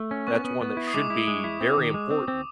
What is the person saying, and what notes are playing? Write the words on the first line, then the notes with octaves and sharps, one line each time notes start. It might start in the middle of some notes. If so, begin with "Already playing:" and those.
that’s one that should be very important.
Already playing: A3
C#4
B3 C#6
B3
B3
E4
D#6
G#3 D6
E4
G#3
E4
C4
D#3
G#3
C4
C4